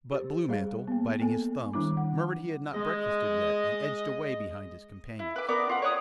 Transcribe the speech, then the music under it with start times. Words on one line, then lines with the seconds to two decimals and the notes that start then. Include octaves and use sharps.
But blue-mantle, biting his thumbs, murmured he had not breakfasted yet and edged away behind his companions.
0.12 G4 C5
0.49 G3 G#4 F5
0.88 A#3 B3
1.20 A#3 B3 A4 G#5
1.73 D#3 G3 D4 E4 D6
1.97 F#5
2.74 G#3 D#5
5.19 E4
5.36 B4 D6
5.49 B3 A#4 D5 D6
5.69 F4 F#5
5.82 C#5 D5 F#5 D#6